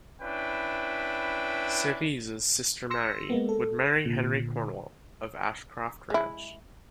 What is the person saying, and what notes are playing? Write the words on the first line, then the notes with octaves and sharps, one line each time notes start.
Cerise's sister Mary would marry Henry Cornwall of Ashcroft Ranch.
C#4 D4 E4 B4 G5
C6 E6 A#6 C#7
G#3 A#3 B3
A4
A#2 D3
G#3 E4